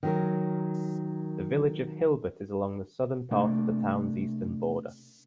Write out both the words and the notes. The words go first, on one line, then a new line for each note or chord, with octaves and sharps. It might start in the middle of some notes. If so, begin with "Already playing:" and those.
The village of Hilbert is along the southern part of the town's eastern border.
D#3 F#3 A#4
C3 A3 A#3 D4